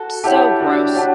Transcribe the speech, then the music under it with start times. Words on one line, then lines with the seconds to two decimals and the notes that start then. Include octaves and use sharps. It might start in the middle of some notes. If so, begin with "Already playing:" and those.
So gross.
Already playing: F#4 A4
0.24 E4 G4 C#5 F#5 A5
0.60 D4 F#4
0.85 G4
0.95 D4 F#4 C#5 F#5 A5